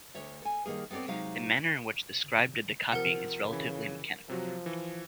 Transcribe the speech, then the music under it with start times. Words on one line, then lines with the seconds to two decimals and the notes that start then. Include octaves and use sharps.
The manner in which the scribe did the copying is relatively mechanical.
0.15 D2 D3 C#5 E5
0.42 A4 G#5
0.66 D#3 G3 A#3 G#4
0.91 B3 C4 A4 C#5 D5
1.08 C3 F#3 G#3 D#4 F5
2.92 C3 F3 A#4 F#5
3.48 C#3 E3 B5
4.29 C3 F3 F#3 F#4
4.66 E3